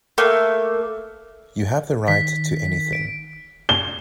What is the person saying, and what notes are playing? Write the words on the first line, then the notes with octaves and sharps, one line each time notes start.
You have the right to anything.
A3 A#3
D#3 B6
D7
G7